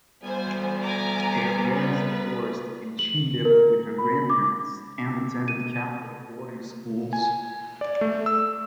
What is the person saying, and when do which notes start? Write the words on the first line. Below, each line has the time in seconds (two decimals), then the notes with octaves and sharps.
Her parents divorced and she lived with her grandparents and attended Catholic boarding schools.
0.22 D2 G3 B3 C5 G#5
0.82 G#5 A#5 D6
1.74 B4
2.99 F#7
3.45 A#4
3.98 B5
4.30 D6
5.48 D#7
7.13 G#5
7.81 D5
8.01 A3
8.26 E6